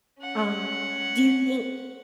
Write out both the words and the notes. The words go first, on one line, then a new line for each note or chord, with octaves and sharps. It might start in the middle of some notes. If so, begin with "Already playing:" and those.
Um, do you think
C#4 F#5